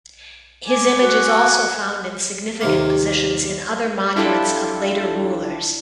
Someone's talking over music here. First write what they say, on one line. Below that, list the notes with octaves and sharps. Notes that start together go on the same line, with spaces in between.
His image is also found in significant positions in other monuments of later rulers.
G#5 D6
F#4
D#2 C3 A#3
D4 E4 F4 G4 A4